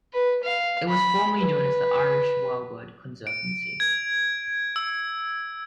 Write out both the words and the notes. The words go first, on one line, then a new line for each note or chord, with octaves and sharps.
It was formerly known as the Irish Wildbird Conservancy.
B4
F5
B5
B4
D7
G#6
E6